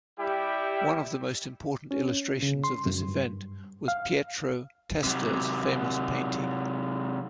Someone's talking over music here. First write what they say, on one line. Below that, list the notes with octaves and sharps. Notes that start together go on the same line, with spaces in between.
One of the most important illustrations of this event was Pietro Testa's famous painting.
G3 E4 G4 G5
C#4
C#3
C6
F#2
G2
F5
C3 F#3